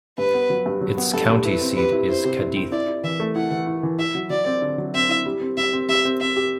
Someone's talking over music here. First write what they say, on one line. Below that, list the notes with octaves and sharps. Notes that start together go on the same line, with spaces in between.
Its county seat is Cadiz.
G2 B4
B3
F#3
G2
F#3
B3
G2 A4
G2
E4 B4
C4
G3 B4
E4
E4 C5
C3
E4
C4
E4 D5
E4
E3 E5
A3
E4 F#5
E3
E4
E3
E4 E5
F#3
F#3 D5
C4
D3
F#3
C4 E5
E4
G3
C4
G3 E5
C4
G3 E5
C4
C4 E5
G4